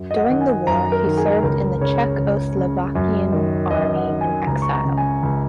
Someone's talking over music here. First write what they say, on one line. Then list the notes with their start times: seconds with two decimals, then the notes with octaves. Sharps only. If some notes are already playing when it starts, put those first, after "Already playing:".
During the war he served in the Czechoslovakian army in exile.
Already playing: F#2
0.11 D#5
0.16 F#5
0.29 D#3 F#5
0.41 G#5
0.67 F#2 A#5
0.92 A#4
1.05 D#3
1.17 G#4
1.42 C#2 A#4
1.81 C#3 C#5
2.19 C#2
2.57 C#3
2.95 F#2
3.32 D#3
3.71 F#2 D#5
3.96 F#5
4.09 D#3
4.21 G#5
4.47 C#2 A#5
4.62 C#6
4.73 A#5
4.85 C#3
4.97 G#5
5.23 C#2